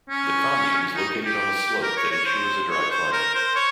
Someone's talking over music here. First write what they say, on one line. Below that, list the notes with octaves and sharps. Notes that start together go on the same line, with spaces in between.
The commune is located on a slope that ensures a dry climate.
C#4
D#4
G4
A#4
C#5
C#5
C5
C#5
C5
A#4
C5
C#5